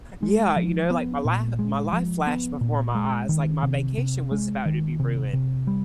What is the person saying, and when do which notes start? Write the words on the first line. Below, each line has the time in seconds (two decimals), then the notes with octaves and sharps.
yeah, you know, like, my li my life flashed before my eyes, like, my vacation was about to be ruined,
0.23 G#3
0.56 F3
0.90 B3
1.25 A#2
1.59 G#3
1.93 F3
2.27 B3
2.61 A#2
2.95 G#3
3.29 D#3
3.63 C3
3.98 C3
4.32 G#3
4.66 D#3
5.00 C3
5.33 C3
5.67 G3